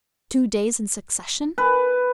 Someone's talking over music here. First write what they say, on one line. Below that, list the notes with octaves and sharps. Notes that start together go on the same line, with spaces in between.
Two days in succession!
B4